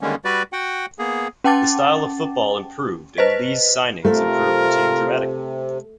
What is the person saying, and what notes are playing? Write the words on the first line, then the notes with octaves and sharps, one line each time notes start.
The style of football improved and Lee's signings improved the team dramatically.
D3 D#3 G3 G#3 A#3 C#4
G3 F#4 B4 D5
F#4 F#5 G5
A#3 B3 G#4
C#4 F#5 G5 A5 D6 A6
B4 C5 D#5 B6
C3 A3 F4 A#4